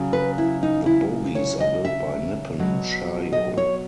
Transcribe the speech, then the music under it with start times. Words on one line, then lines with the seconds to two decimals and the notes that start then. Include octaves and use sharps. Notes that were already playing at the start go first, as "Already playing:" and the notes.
The bogies are built by Nippon Sharyo.
Already playing: C#3 F#3
0.13 B4
0.38 E4
0.63 D#4
0.86 E4
1.35 C#5
1.60 D#5
1.85 E5
2.58 B2 F#3
3.33 D#5
3.58 C#5